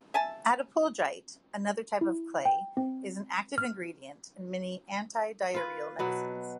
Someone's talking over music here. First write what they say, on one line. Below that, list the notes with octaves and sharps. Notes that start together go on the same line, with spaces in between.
Attapulgite, another type of clay, is an active ingredient in many anti-diarrheal medicines.
E5 G#5 A5
E4
G5
C4
F6
F4 B4
B2 F#3 B4